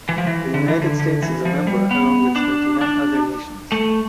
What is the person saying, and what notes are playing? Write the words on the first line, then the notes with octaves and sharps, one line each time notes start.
The United States is a member along with twenty-nine other nations.
E3
F3
E3
D3
E3
D3
D3
E3
F3
G3
B3
D4
D4
A3